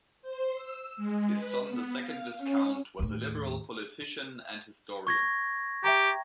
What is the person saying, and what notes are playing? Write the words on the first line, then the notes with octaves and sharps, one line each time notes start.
His son, the second Viscount, was a Liberal politician and historian.
C5
E6
G#3
B4
B3
F5
C#4
D#2 A2
C#6 G#6 A#6
G4 E5 G5 A#5